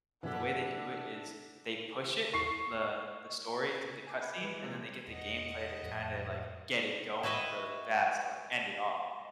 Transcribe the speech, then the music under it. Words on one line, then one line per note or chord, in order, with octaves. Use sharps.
the way they do it is they push it, the the story through the cut scene, and then they get the gameplay to kinda, like, get it going really fast to, like, end it off.
F#2 B2 E3 D4 E4 G4 A4 F#5
C#6 C7
G#5 D6
B5 F#6 G#6
E3 G#3 B4
C3 F3 G#3
E2 B2 D#5 F#5
F2 A2 A3
E4 F#4 B4 D#5 E5